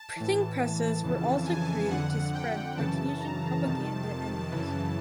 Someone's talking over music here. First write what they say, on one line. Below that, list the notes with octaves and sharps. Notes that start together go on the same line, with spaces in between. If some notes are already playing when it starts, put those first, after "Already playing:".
Printing presses were also created to spread partisan propaganda and news.
Already playing: A5
A2 E3
F2 C#3 E3
G#5
F2 D3 F#5
G5
F#2 C#3 E3 A5
A#5
F2 C3 D#3 A5
F#2 C#3 E3